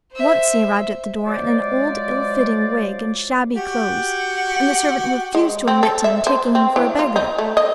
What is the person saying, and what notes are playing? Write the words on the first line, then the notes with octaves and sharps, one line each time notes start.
Once he arrived at the door in an old, ill-fitting wig and shabby clothes and the servant refused to admit him, taking him for a beggar.
C5 E5
F3 F#3 G#3 C5 D5
F#4 G4
G#3
C4
A4
E5
C5
C4
E3
F4
D#4
A3
D#5